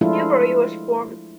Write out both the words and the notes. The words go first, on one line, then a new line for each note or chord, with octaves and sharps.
Newbury was formed.
F3 G#3 A3 D4 E4 F4